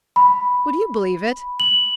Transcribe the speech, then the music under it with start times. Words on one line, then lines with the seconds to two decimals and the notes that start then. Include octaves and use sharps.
Would you believe it?
0.16 B5
1.60 F#7